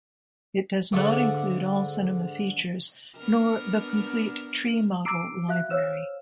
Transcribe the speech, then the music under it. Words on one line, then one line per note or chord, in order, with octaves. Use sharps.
It does not include all Cinema features, nor the complete Tree Model Library.
G#2 D3 D4 F4 E5 C#6
B3 D4 A#4
A#5 D6 E6 C7 D7
F#4 E5 F5 F#6
C5 C#5 F5 E6 F6 E7